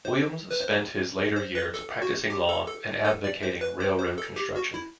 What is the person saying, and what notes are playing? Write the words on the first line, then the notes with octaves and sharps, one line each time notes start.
Williams spent his later years practicing law and advocating railroad construction.
C5
B4
C5
C5
B4
A4
F#4
G4
A4
A4
A4
D5
C5
B4
C5
C5
A4
G4
F#4
E4